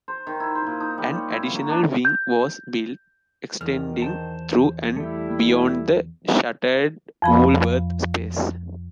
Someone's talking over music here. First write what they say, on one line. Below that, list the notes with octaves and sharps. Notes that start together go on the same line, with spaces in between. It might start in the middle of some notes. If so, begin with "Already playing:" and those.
An additional wing was built, extending through and beyond the shuttered Woolworth space.
C5
D#3
E4
C5
A#2
D#4
G3
C#5
E4
F5
F#3
D4
G6
E2 D#3 F6
C5 A5
G3 A3 E4 G4
F2 F3 B5